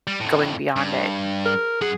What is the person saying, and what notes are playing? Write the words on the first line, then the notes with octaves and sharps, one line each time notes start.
going beyond it.
G3
F2 A2
G2
A#4
F#2 G#4 F#5